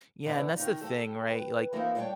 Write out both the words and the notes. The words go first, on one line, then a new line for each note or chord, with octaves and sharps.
Yeah, and that's the thing, right? Like,
B2 D3 E3 D4 E4
D#3 D#4
G4 A4
B4
E3 F3 A#3 C4 D#4 E4
G3 D4 G4 B4 C#5 G5